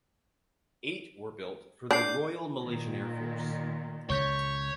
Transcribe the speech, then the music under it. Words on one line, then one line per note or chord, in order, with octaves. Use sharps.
Eight were built for the Royal Malaysian Air Force.
D4 G6 C7
A#2 D#3
C#2 C#3 C#5 C#6 G6 B6